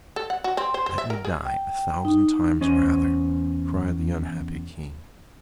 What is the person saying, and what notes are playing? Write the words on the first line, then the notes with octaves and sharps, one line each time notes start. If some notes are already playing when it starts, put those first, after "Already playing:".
"Let me die a thousand times rather," cried the unhappy King.
A4
F#5
F#4
C4
C5
C5
E5
A#4
G#4
G5
D#4
E2 C#4 C5 D#5